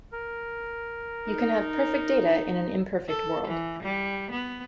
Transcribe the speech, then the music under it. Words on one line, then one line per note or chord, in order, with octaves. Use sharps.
You can have perfect data in an imperfect world.
A#4
D#4
A4
E3
G3
B3